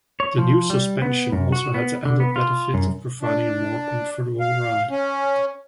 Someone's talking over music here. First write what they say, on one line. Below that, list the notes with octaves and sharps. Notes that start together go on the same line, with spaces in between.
The new suspension also had the added benefit of providing a more comfortable ride.
C#5
F3
G3
B3
F#2
F#4
B3
D3
B3
F4
F#2
D4
F5
C#4